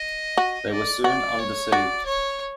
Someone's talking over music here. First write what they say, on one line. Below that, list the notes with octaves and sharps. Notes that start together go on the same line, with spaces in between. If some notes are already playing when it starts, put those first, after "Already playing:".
They were soon undeceived.
Already playing: D#5
F#4
D5
F#4 D5
C#5
F#4 D5
C#5